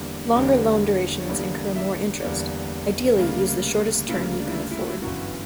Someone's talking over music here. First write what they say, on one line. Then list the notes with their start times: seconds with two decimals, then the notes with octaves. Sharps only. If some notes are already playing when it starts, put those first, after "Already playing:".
Longer loan durations incur more interest, ideally use the shortest term you can afford.
Already playing: E2 D3 G3 A#3
0.35 E2 D3 G3 A#3
1.19 C#5
1.29 E2 D3 G3 A#3 D5
1.75 E5
2.22 E2 D3 G3 A#3 D5
3.16 D2 C#3 G3 A#3
4.09 D2 C#3 G3 A#3 E4
4.40 D4
4.48 E4
4.57 D4
4.71 E4
4.80 F#4
4.88 E4
5.02 G1 F#2 E3 F#4